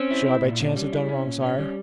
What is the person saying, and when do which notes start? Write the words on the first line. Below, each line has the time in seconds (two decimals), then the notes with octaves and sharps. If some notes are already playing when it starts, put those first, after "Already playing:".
"Should I by chance have done wrong, sire?"
Already playing: C4 C#4
0.10 E4
0.26 E4
0.43 A#2
0.60 C#4
0.76 G3
0.92 E4
1.08 C#4
1.26 A#2
1.42 C#4
1.59 G3